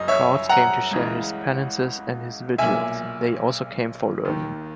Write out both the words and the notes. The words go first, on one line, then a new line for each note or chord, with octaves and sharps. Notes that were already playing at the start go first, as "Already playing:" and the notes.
Crowds came to share his penances and his vigils; they also came for learning.
Already playing: F#1 F#2 D#5
C#5 E5
F#5 A#5
C#2 C#3 E3
B1 A#2 E5 G#5
D#2 D#3